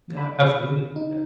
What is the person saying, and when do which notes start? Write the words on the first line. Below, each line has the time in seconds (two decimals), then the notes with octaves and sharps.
Yeah, absolutely, yeah.
0.17 B5
0.96 D#4